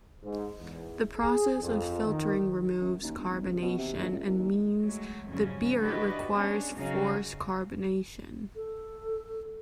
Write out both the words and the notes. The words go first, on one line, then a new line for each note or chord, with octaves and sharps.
The process of filtering removes carbonation and means the beer requires force carbonation.
G#2
E2
G#4
F2
D#3
F#2
D#2
G1
G#1
C#2
B2
C3
A#1
C#2
C2
D#2
F#3 G#3 A3
F2 G#2 C#3 F#3 G3 C#4
D4 E4 F#4 G4 B4 D#5
B3 C#4 D4 G#4
C#3 F#3 D#4 F#4 D#5 F5
A4